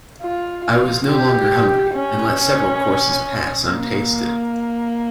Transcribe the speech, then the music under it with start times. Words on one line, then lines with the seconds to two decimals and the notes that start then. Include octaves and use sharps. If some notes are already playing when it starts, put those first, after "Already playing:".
I was no longer hungry, and let several courses pass untasted.
0.21 F4
0.65 F4
1.08 G4
1.95 C#4
3.68 A#3